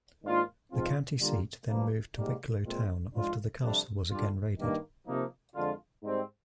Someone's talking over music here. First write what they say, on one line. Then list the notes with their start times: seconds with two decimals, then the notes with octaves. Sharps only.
The county seat then moved to Wicklow town after the castle was again raided.
0.24 G#2 D#3 A#3 D4 F4
0.72 G#2 F3 G#3 C4 F4
1.20 D3 G3 A#3 F4
1.68 G2 F3 A#3
2.17 G#2 G3 A#3
2.65 A#2 G#3 C4 F4
3.14 G#2 F3 G#3 D4 F4
3.62 F2 C3 G3 D4
4.10 G2 D3 G3 D4 F4
4.58 G2 D#3 A#3
5.07 C3 F3 A#3 D#4
5.55 F2 D3 G#3 D4 F4
6.03 G#2 G3 C4